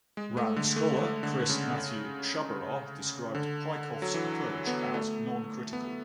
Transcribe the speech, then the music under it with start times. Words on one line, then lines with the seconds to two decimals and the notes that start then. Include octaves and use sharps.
Rand scholar Chris Matthew Sciabarra described Peikoff's approach as "noncritical".
0.17 G#3
0.37 A3
0.56 D3
0.76 A3
0.97 A3
1.23 D3
1.50 C#3
3.35 D3
4.02 F#3
4.14 E3
4.67 B3
4.94 A3
5.73 B3